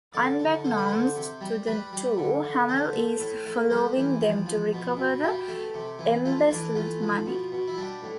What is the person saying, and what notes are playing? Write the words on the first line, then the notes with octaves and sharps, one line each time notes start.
Unbeknownst to the two, Hummel is following them to recover the embezzled money.
D3 D5
D3
D3 C5
B4
D3 C5
C3
G3
G3 B4
G3
D3
D3
A3 C5
A3
A2
A3
G3 C5
E3
F3
F3
B2
B2
B2 G4
A3
C3
E3
A3 F4
E3 D4
A3 F4
F3
B2
B2
E4
G3 D4
A2